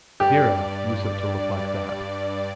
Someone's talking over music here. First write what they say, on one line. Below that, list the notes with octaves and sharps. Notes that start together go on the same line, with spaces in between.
Vera usedn't to look like that.
G2 G4 D5